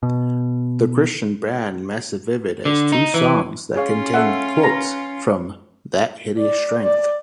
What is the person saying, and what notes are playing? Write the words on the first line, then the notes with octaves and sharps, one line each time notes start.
The Christian band Massivivid has two songs that contain quotes from "That Hideous Strength".
B2
D3
D#4
E3
C#4 F4 G#4 C#5 F5
A4 E5 F#5
B4 A5 A#5
D5
D5